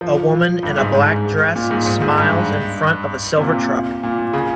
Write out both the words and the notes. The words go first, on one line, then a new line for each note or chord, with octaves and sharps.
A woman in a black dress smiles in front of a silver truck.
F3
G2
G#2
G#2
A#2
G#2
G#2
G#2
G2
C3
A#2
A#2
A#2
C#3